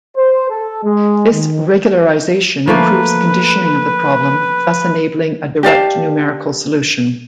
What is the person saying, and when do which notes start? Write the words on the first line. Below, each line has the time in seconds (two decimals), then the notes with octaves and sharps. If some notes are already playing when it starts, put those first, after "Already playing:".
This regularization improves the conditioning of the problem, thus enabling a direct numerical solution.
0.17 C5
0.50 A4
0.85 G#3
1.32 D#3
2.68 F3 A3 A#3 B4
5.63 G4 D5 F5 A5